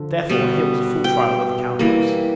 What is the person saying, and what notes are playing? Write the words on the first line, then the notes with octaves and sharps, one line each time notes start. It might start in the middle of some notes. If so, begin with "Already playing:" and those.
Therefore, here was a full trial with the cow-pox.
Already playing: D3 F3
B2 G3 B3
G5
E3 G3 A#3